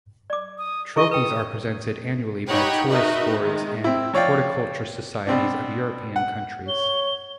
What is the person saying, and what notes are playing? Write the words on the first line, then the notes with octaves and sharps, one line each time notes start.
Trophies are presented annually by tourist boards and horticultural societies of European countries.
D5 D6
D#6
E4 G#4 D#5 C#6
B4 G5 D#6
D#4 G4 C#5 F#5 G5 B5
D#4 F#4 A#4 B4 D#5 E5
D#3 G#3
C4 E4
F3 C#5 D5 F5 G5
B2 C4 D4
F#5
C#5 G7